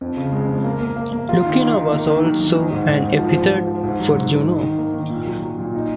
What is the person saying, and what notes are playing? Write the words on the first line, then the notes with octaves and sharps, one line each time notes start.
Lucina was also an epithet for Juno.
F2
C#3
G#3
F2
A#3
A#3
A#3
A#3
F4
D#3
D#3
D#3
A#3
D#3
F#3
D#3
D#3
G#2
G#2
G#2
F3
F3
F3
F3
G#2
F#3
G#2
G#2
D#4
D#3
A#3
D#3
A#2
F#3
F#3
A#2
D#4